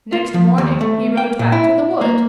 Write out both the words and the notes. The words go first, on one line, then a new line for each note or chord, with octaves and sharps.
Next morning he rode back to the wood.
F4
F3
D#2
A3
G5
A#2
E4
A#3